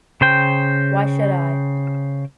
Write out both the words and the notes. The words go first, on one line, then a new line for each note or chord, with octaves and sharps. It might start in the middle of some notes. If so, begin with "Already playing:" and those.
Why should I?
C#3 C5 G5